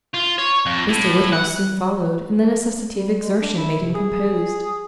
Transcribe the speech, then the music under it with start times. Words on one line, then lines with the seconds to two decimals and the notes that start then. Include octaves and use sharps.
Mr. Woodhouse soon followed; and the necessity of exertion made him composed.
0.14 F4
0.38 C#5
0.66 F2
0.89 A2
1.32 F#5
2.95 G3
3.21 G#3
3.42 D4
3.57 E4
3.80 C3
3.94 G#4